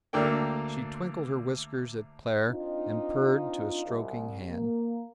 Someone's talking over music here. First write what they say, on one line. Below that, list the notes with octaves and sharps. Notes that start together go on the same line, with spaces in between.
She twinkled her whiskers at Claire, and purred to a stroking hand.
D2 A#3 D4 A4 G5
C4 D4 D#4 F4
C2
A#3